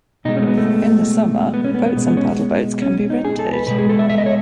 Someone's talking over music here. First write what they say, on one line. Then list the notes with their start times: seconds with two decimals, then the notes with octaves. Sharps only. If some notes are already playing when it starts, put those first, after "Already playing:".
In the summer, boats and paddle boats can be rented.
0.25 B2 G#3 D#4
0.37 C#4
0.42 A3
0.47 B3
0.58 A3
1.54 B3
1.64 C#4
1.74 B3
1.86 B3
1.97 B2 G#3
2.07 B3
2.17 C#4
2.82 C#4
3.10 D#4
3.25 G#4
3.39 A4
3.53 B4
3.67 B2 G#3 B4
3.78 G#4
3.89 A4
3.99 E5
4.10 E5
4.18 D#5
4.26 C#5